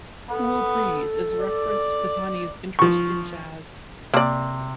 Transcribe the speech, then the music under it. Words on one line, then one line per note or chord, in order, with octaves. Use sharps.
"Cool Breeze" is a reference to Pisani's interest in Jazz.
B3 A4
D5
F3 C#6
C3 A#3 D5